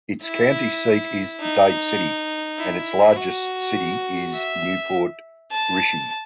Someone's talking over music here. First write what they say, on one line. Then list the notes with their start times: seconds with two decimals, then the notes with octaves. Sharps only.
Its county seat is Dade City, and its largest city is New Port Richey.
0.23 E4
1.40 D#4
2.58 E4
3.16 F#4
4.34 E5
5.52 A5